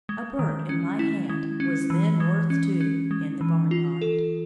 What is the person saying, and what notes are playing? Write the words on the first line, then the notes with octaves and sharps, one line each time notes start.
A bird in my hand was then worth two in the--barnyard.
G#3
D#3
C#4
E4
G#3
C#4
E3
G#3
C#4
C#4
G#3
E3
F4
A4